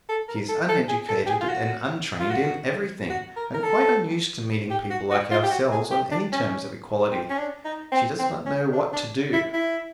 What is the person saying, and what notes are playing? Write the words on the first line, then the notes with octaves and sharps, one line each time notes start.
She is uneducated and untrained in everything, and quite unused to meeting people like ourselves on any terms of equality. She does not know what to do.
A4
A#4
A4
A4
G#4
A4
G4
G#4
F4
F#4
F4
F#4
F#4
A#4
A#4
A4
G4
F#4
F#4
F4
G4
F#4
G#4
G4
D4
C#4
C4
C#4
D4
D#4
C4
C4
C#4
D4
D4
E4
E4